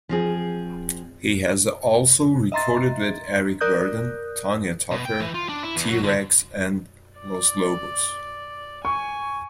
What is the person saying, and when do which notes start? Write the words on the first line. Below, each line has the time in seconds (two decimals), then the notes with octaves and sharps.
He has also recorded with Eric Burdon, Tanya Tucker, T. Rex and Los Lobos.
0.09 F3 C4 G#4
2.52 D#5 E5 A#5 C6 A6
3.61 A#4 D5 D#6 F#6 G6
4.92 B2
5.05 G5
5.20 E3
5.35 F4
5.49 D4
5.63 E4
5.76 E2
5.90 F#3
6.03 D3
7.19 D5
8.85 G#5 C#6